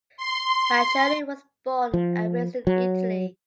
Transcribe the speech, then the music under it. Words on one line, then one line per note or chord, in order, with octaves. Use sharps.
Micheli was born and raised in Italy.
C6
F3
F#3